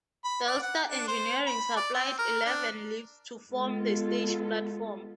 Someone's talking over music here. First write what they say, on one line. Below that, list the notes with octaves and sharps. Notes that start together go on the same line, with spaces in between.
Delstar Engineering supplied eleven lifts to form the stage platform.
B5
D5
F#5
D4
C5
B5
D5
C4
A#4
D4
G#3 B3 F4 A4